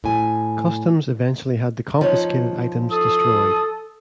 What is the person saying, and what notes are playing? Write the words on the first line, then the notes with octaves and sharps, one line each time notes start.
Customs eventually had the confiscated items destroyed.
A2 G#5
F3 D#4 C#5
A4 D#6